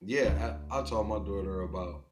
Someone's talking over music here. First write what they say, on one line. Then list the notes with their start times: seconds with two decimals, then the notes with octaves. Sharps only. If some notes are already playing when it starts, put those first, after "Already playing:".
Yeah, I I taught my daughter about
0.25 D2 D3